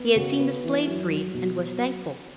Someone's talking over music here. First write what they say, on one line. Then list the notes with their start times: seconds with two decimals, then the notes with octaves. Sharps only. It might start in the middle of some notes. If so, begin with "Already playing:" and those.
She had seen the slave freed, and was thankful.
Already playing: B3
0.16 C#3 F#4
0.39 B3
0.64 E3
0.87 F#2
1.10 F#3
1.34 B2
1.58 F#3